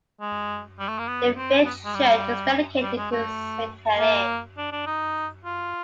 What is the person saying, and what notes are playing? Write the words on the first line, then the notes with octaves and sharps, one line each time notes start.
The village church is dedicated to Saint Helen.
G#3
G3
A3
A#3
B3
C4
B3
G#3
G3
G3
G#3
A3
A#3
D4
D4
D#4
F4